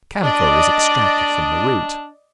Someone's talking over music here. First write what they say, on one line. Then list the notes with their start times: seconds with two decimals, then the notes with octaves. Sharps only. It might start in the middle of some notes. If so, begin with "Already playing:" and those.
Camphor is extracted from the root.
0.23 D4 D5 D#5